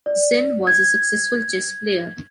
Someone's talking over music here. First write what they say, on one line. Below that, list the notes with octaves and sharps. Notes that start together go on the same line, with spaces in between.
Zinn was a successful chess player.
D5
G#6